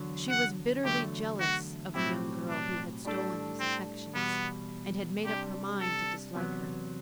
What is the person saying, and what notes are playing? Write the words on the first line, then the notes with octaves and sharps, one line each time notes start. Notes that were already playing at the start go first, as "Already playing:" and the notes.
She was bitterly jealous of the young girl who had stolen his affections, and had made up her mind to dislike her.
Already playing: E2 D3 F#3
F#5
E2 D3 F#3 A3 G4
F#4
B1 A2 F#3 C4 E4 G4
D4
A2 G3 D4 A4
C4
E2 B2 G3 B3
C3 G3 D4 G4
A4
E2 C3 F#3 B3